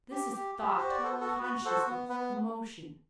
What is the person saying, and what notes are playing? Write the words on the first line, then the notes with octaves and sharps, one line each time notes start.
This is thought, consciousness, emotion.
G4
G4
G4
F#4 C5
D5
B3 A4 C5
F#4 A4
F#4 B4
F#4 A4 C5
B3
B3 B4